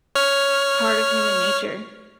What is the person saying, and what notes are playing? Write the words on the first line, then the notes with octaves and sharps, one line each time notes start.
part of human nature,
C#5 F6